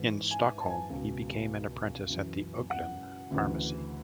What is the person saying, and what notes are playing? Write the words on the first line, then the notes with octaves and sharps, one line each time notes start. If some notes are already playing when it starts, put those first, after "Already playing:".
In Stockholm, he became an apprentice at the "Ugglan" pharmacy.
Already playing: G#2 E3
G#5
A5
G#5
C#2 B2
F#2 E3
F#5
D2 C#3 E3